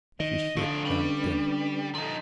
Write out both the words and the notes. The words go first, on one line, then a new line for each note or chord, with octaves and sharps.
She should not have done it.
D#3 D#5
D3 F3 A3 F5
G3 C#4 D4 B4
F3 D#4 A4